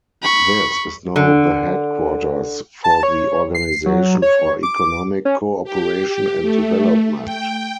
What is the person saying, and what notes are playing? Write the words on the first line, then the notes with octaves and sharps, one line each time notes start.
This is now the headquarters for the Organisation for Economic Co-operation and Development.
B5 C#6
D3
A5
C#5
C7
F#3
C#5
D6
C#4
G4
A3
G5